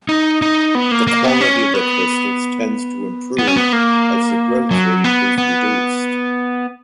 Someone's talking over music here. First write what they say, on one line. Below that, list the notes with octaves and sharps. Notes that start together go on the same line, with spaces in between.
The quality of the crystals tends to improve as the growth rate is reduced.
D#4
D#4
B3
A#3
A#3
B3
C#4
B3
B3
C#4
B3
A#3
F#3
B3
B3